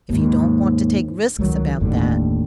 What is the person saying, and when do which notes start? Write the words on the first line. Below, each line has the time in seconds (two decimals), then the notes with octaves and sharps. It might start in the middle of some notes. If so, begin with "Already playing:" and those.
If you don't want to take risks about that--...
0.10 D#2 G#2
1.38 C#2 D#3 F#3
1.80 F#1 D#2 A2 D3